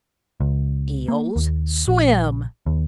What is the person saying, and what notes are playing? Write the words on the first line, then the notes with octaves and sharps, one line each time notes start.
"Eels swim!"
C#2
A#3
D#2
A#1
D#2